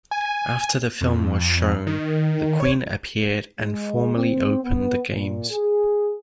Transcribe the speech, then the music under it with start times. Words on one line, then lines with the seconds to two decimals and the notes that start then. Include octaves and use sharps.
After the film was shown, the Queen appeared and formally opened the Games.
0.11 G#5
1.01 F2
1.87 D#3
2.60 C#5
3.60 G#3
4.15 C4
4.63 B3
5.09 A#2
5.51 G#4